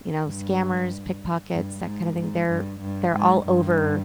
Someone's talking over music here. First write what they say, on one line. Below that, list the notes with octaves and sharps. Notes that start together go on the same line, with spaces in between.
you know, scammers, pickpockets, that kind of thing, they're they're all over
G2
G2
G#2
G#2
G2
G2
G#2
G2